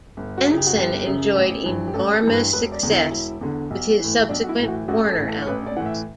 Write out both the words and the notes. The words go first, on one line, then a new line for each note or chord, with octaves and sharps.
Benson enjoyed enormous success with his subsequent Warner albums.
G1
F#4
F#2 C#3
G4
F#4
G1 G4
F#2 C#3
A1
G2 E3
G4
A1 A4
A4
G2 E3
B4
E1 B4
D5
E2 D3
E4
E1
E2 D3
B1
A2 E3
B1 D4
F#4
E4
A2 E3
F#4
A1 F#4
A4
A2 E3
A4
C#5
A1 B4
D5
A2 E3 F#5
E5